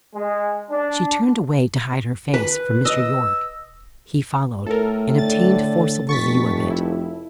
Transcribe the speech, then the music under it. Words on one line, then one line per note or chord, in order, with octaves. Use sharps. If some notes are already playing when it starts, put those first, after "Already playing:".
She turned away to hide her face from Mr. Yorke. He followed and obtained forcible view of it.
G#3
D4
B4
D#5 E6
A2 A4 A#4
D3 A6
F1 C#6 A6 B6
E4